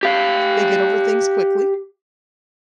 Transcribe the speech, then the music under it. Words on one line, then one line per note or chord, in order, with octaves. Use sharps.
they get over things quickly,
G4 F5